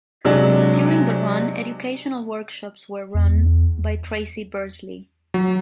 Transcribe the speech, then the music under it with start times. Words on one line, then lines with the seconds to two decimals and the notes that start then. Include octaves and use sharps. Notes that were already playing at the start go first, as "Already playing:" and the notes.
During the run educational workshops were run by Tracy Bersley.
0.25 C3 F#3 G#3 D4
3.14 E2
5.34 F#3